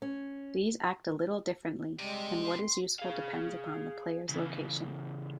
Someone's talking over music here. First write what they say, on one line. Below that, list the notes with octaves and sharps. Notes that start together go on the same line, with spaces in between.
These act a little differently, and what is useful depends upon the player's location.
C#4
C3 G3 G#3
C6
G#4 F5
C#3 E3